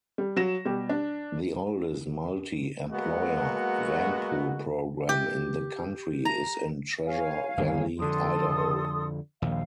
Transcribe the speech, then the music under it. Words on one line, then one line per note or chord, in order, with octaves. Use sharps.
The oldest multi-employer vanpool program in the country is in Treasure Valley, Idaho.
G3
F#3 A#6 E7
B2 G3 G4
D4
F#3 G#3 A#3 B3 F#4
G4
A#5
C#5 F5 G#5
G1 D#2
F2 D3 A4 C6 D#6
A#1 D#2 F5